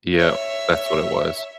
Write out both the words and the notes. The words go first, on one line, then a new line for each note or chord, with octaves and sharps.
Yeah, that's what it was.
C#5 E5